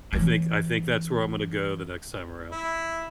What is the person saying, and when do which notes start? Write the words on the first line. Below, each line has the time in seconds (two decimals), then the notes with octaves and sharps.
I think I think that's where I'm gonna go the next time around.
0.13 E3 C#4
2.52 E4